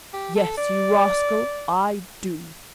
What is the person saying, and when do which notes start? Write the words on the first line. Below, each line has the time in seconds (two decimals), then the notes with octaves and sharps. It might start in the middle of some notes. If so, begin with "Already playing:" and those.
"Yes, you rascal, I do."
0.14 G4
0.35 A4
0.57 D5